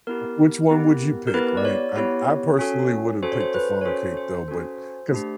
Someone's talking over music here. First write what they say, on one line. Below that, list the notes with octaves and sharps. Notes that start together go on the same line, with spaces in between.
W which one would you pick, right? I I personally would've picked the funnel cake though, but 'cause
B3 E4 G4 A#4
B3 E4 G4
A#4
B3 E4 G4 B4
D5
C#5
B3 E4 G4 C#5
C#4 F#4 A4
C#4 F#4 A4 C5
C#5
C5
B4
C#5
C#4 F#4 A4 C5
C5
C#4 F#4 A4
A3 D4 G4